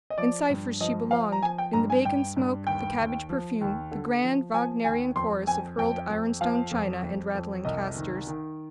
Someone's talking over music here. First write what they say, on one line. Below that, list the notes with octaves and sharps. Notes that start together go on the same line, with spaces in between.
In Cypher's she belonged--in the bacon smoke, the cabbage perfume, the grand, Wagnerian chorus of hurled ironstone china and rattling casters.
D#5
F3 D5
G2
F3 D#5
F3 F5
A#5
F3 G#5
G5
G2 A#5
G#5
G2 G5
G2
D#2 G5
D#2
F3
D#2
D3
F3
F3 G#5
D#2 G#5
F2 C6
F2 G#5
F2 G5
F2
F3 F5
F2
F2
F2
C2 D#5
D#3
D#3